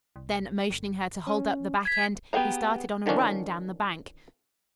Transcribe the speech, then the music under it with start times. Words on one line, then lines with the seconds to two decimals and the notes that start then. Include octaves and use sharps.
Then motioning her to hold up the back end, he started on a run down the bank.
0.16 C2
0.70 G1
1.27 C#4
1.85 G#6 B6
2.33 B3 G4 G#4 F#5 A#5
3.06 D3 D#3 F3 C#4 D4